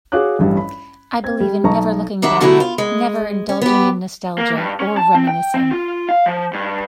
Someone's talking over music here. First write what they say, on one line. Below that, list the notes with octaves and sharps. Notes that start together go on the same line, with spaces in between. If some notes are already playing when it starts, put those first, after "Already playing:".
I believe in never looking back, never indulging in nostalgia, or reminiscing.
F#4 G#4 C#5 F5 D6 F#6
A1 G2 G3
B5
C4 G#6
G3
B1 D#4 A5 A#5 C#6
D#3 G3 D4 E5 F#5
B2 D3 F#3 G3 A3 E4
F4
G#3
C#4
B3 G4
A#3
G2
C#4
A5
C4
G5
C4
F4
F5
F3
G2